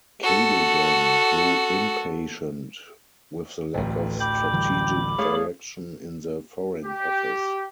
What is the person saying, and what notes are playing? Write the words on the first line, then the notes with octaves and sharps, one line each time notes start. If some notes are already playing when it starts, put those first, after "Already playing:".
Cadogan grew impatient with the lack of strategic direction in the Foreign Office.
F#4 A4
D1 A1 E3
G5 B5 D6
D3 E3 G3
A3 G#4 C#5 F5
G4